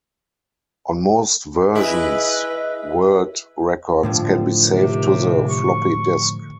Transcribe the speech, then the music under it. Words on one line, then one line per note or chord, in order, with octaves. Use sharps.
On most versions, world records can be saved to the floppy disk.
E4 G#4 B4 D#5
A2 D3 F3
D#2 C3
C#6